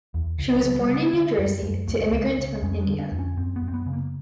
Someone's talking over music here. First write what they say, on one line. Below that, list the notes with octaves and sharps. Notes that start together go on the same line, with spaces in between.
She was born in New Jersey to immigrants from India.
E2
C#2
F#3
C#3
G3
C#3
G#3
D3
F#2
F#2
C#2 A3
C#2
C#3
F2 C#4
D4
D3
D4
F2
C#4
F#2 C4
B3
F#2
C4
B3
C#3
A#3